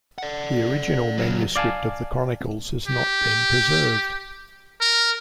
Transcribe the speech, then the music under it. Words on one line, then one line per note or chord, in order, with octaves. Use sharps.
The original manuscript of the chronicles has not been preserved.
D5 F#5
C#3 F#3
D5 F5 G#5 A5
G4
A#4